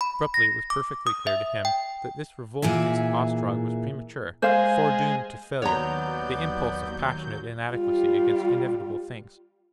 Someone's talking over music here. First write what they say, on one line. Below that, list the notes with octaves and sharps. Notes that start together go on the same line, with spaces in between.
Abruptly it was perfectly clear to him that this revolt against Ostrog was premature, foredoomed to failure, the impulse of passionate inadequacy against inevitable things.
B5
A#6
D6
D#6
E5
G5
A#2 E3 G#4 E5
G#3 C5 F5
D#2 F#3 B3 C#5 D5 A#5 G6
G3 F4